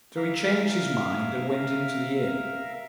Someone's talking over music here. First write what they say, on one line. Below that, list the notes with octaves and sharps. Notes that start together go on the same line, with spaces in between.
So he changed his mind, and went into the inn.
A#4 E5 F5